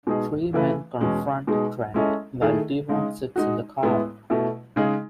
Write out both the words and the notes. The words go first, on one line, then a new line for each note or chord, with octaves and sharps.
The three men confront Trent while Devon sits in the car.
B2 G#3 D#4 G#4
C#3 E3 A3 E4 B4
E2 B2 G#3 C#4
B2 G#3 D#4 G#4
G#3 C#4 E4 A4 D#5
D#3 A3 E4 G#4
C#3 G#3 D#4
G#3 D#4 F#4
A2 G#3 B3 E4
B2 A3 E4
C#3 G#3 D#4 G#4